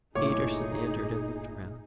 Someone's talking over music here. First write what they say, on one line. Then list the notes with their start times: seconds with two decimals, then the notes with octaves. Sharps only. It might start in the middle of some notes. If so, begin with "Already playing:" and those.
Peterson entered and looked around.
0.15 G1 A#2 A3 D#4 E4 G#4 C#5 D6